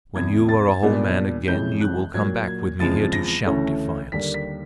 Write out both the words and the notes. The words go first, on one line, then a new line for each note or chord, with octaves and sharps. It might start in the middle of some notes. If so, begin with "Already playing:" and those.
When you are a whole man again, you will come back with me here to shout defiance.
E2 C3 E3 G#6
A6
A#2 G3 B3 D4
F2 C3 E3 G#3 C#4 G6
F#6
A#2 F#3 A#3 G#6
G#6
E2 C#3 F3 G#3 C4 A6
A#6
D2 C#3 E3 A3 C#4
D#2 D3 G3 A#3 B6
B6